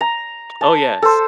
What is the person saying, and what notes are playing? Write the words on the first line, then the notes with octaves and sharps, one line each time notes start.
Oh, yes."
A#5
A5
A4 C5